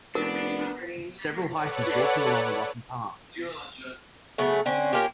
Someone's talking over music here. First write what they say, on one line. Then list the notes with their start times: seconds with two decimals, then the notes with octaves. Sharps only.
Several hikers walking along a rocky path.
0.15 F1 B3 D4 A#4
1.48 A4 B4 C#5 D5 F#5
4.38 C#3 F#3 A3 B3
4.66 D3 C4 C#4
4.93 A#3 C#4 F4 G4